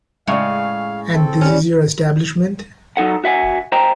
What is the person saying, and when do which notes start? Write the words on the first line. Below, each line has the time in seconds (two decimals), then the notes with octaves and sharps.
And this is your establishment?
0.27 A2 C#3 G#3 D5 F5
1.13 C4 A4
1.41 G3 C#4
2.97 F#3 D#4 A4 F#5
3.24 F#4 E5 F#5 G#5
3.72 C5 D#5 G5 A#5